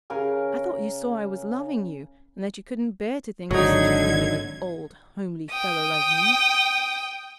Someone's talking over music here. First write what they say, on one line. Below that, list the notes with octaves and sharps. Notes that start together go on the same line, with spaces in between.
I thought you saw I was loving you and that you couldn't bear to think of such a thing in an old, homely fellow like me.
C#3 A#4 G#5
G#1 D3 F#3 D#4 G#6
G5 D#6